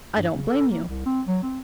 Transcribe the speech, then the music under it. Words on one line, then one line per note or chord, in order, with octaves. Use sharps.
I don't blame you.
G2
C#3
A4
A#3
C2
C4
F#3
C4